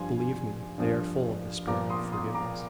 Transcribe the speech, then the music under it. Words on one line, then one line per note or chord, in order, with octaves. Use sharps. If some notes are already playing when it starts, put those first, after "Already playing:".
Believe me, they are full of the spirit of forgiveness.
Already playing: G2 F3 G#5 C6
G2 F3
A#2 F3 A#5 D6
C6 D#6
C6 D#6
A#5 D6